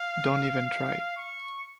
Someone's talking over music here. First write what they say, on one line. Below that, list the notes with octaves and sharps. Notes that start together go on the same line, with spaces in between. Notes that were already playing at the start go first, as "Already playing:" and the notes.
Don’t even try.
Already playing: F5
C#6